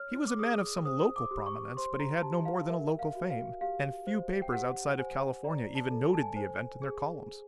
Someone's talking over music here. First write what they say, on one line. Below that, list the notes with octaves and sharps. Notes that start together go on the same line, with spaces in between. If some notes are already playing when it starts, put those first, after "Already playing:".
He was a man of some local prominence, but he had no more than a local fame, and few papers outside of California even noted the event in their columns.
Already playing: C#5 F6
D6
G#4 D#6
C5 D#6
D6
G4
C#6
C5 C6
A#5
G4 A5
F5
A#4 E5
F5
F#4
F5
G4 F5
C5
G5
G4 F#5
C5 G#5
D5 A#5
A5
A4
G#5
A5
G#5
C5 G#5
G#4